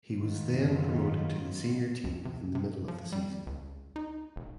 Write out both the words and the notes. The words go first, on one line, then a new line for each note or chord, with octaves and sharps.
He was then promoted to the senior team in the middle of the season.
F#2 D#3 F#3 B3 F4
C#2
C3
C3
F3
G3
C#2
D#4
E1